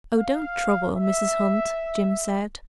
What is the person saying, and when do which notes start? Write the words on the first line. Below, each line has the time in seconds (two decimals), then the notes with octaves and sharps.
"Oh, don't trouble, Mrs. Hunt," Jim said.
0.18 F5
0.96 E5